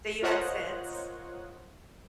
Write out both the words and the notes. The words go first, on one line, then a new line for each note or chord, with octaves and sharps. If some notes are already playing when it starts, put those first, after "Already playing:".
So you had sense.
F4 A#4 C5 C#5 D#5 F#5